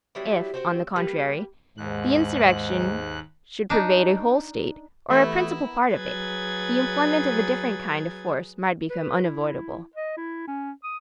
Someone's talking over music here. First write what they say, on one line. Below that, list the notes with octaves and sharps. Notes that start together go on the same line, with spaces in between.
If, on the contrary, the insurrection should pervade a whole State, or a principal part of it, the employment of a different kind of force might become unavoidable.
F#3 G3 B3 E4
C4 F#4 C5
G3 A#3 B4
D#2 G#2 F#6
D4 D#4
E3 A3 B3 E4 G4 A#4 E5 B5
F#3 G#4 B4 G#6 A6
B4
E4
D#5
E4
C#4
D#6